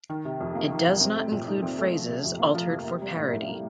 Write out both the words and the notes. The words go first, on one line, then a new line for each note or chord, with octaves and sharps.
It does not include phrases altered for parody.
D#3
C3
F2
A#3
D#3
C3
C4
A3
A#2
D#4
C4
A3
F3
C3
F2
A#3
F3
C3
A#3
G3
A2
A2
A#3